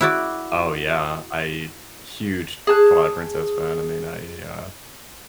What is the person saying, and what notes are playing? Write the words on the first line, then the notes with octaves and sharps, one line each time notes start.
Oh, yeah, I huge Twilight Princess fan, I mean, I uh, a
E4 F#4 D5
G#4 A5 F#6